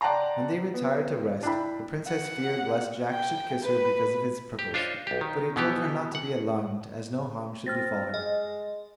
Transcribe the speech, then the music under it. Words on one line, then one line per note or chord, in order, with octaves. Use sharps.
When they retired to rest the Princess feared lest Jack should kiss her because of his prickles, but he told her not to be alarmed as no harm should befall her.
D5 F#5 G5 A5 A#5 C6
B3
D4 E4 G5 B5
F#5
G5
B4
G4
D4 F4 C5 C#5 D#5
B1 G4
D#3
B2 E3 B3 G4
F#5
C4 F6 A6 A#6
G#3 D#5